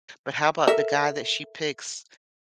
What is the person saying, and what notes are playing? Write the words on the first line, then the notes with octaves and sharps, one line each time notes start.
But how about the guy that she picks
A4 A#4 E5